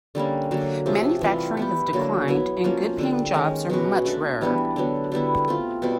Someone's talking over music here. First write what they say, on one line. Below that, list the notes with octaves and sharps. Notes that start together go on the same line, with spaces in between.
Manufacturing has declined and good paying jobs are much rarer.
D3 G3 A#3 C#4
D3 F#3 A#3
C3 F3 A3 C#4
E3 G3 C4 F4
B3 E4 G4
D3 F#3 A#3
F#3 B3 E4
F3 A#3 C#4
D3 G3 C4
D#3 G#3 C#4
B2 G#3 C#4 F#4
A3 D4 F#4
E3 G3 B3 D4
D3 F#3 B3
D3 G3 B3 E4
A3 C4 F4
B2 G3 C4